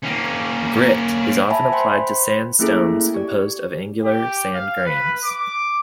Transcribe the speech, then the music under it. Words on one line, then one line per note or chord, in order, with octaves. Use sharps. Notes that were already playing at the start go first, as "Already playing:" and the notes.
"Grit" is often applied to sandstones composed of angular sand grains.
A#3 C#4
E5 G#5 A5 B5
C5 G5 B5 C6
A3 A#3 C#4 E4 G#4 A4
G4 D5
G4
F5
B4
D6